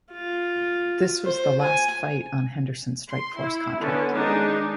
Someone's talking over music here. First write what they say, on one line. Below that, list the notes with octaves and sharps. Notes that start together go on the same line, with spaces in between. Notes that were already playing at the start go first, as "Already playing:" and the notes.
This was the last fight on Henderson's Strikeforce contract.
F4
C5
G#5
C6
E4
D3 B3 C#4
D#3 G#3 D4 D#4